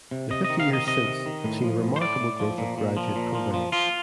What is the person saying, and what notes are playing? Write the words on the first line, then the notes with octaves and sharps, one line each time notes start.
The fifty years since have seen a remarkable growth of graduate programs.
C3
C3 D#5
D#5
D#3
F5
C3
D#5
C3 D#5
D#3
D#3
A2
F3
A2
C5
A2 D5
A2
F3
A#2
A#2
F3
A#2
F3
F3
F3 F4